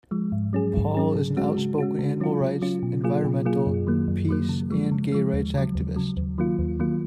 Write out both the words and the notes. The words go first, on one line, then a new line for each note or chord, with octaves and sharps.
Paul is an outspoken animal rights, environmental, peace and gay rights activist.
F3 G#3
G#2
F#3 C#4 G#4
G#2
F#3 C#4 G#4
C#3
G#3 C#4 F#4
C#3
G#3 C#4 F#4
C#3
F#3 C#4 F4
C#3
F#3 C#4 F4
B2
F#3 A#3 F4 G#4
B2
F#3 A#3 F4 G#4
F#2
D#3 F#3 A#3
F#2
D#3 F#3 A#3
C#3
F3 G#3
C#3
F3 G#3
D#2
C#3 F#3
D#2
C#3 F#3
D#2
D#3 F#3 A#3 F4
D#2
D#3 F#3 A#3 F4